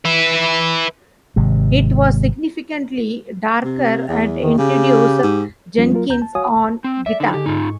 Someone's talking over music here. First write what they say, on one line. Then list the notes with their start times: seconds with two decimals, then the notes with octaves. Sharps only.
It was significantly darker and introduced Jenkins on guitar.
0.05 B4 E5
1.36 G#1 C3 G#3
3.64 C3
4.08 E2
4.41 D#3
4.58 C#3 G4
5.23 G#2
5.78 F2 F3 G3 C#4 F4
5.92 F#3 A#3 F4 A#4
6.09 D2 A#5 G6
6.22 A5
6.35 F#4 C#5 F5 G#5 D#6
6.84 C4
7.06 D5 E5
7.20 D3 D#4 G#4
7.34 D3 G4
7.46 G#2 D#4 F4
7.62 C#6